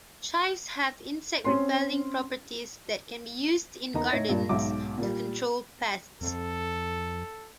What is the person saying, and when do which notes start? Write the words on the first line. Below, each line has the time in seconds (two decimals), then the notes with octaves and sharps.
Chives have insect-repelling properties that can be used in gardens to control pests.
1.44 C4 C#4 C6
3.94 E2 A#3 B3 D#4 A#5
4.10 A2 D#4 C#5 E5 A#6
4.29 G2 A#2
4.49 B1 G#2 B2 E5 D6
4.98 A#2 G3
6.21 F2 A4